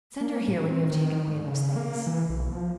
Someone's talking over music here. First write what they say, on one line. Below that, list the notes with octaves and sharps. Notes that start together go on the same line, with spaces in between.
"Send her here when you have taken away those things."
A#3
A2
C4
D#3
G#2
C#3
A#3
E3
B1
F3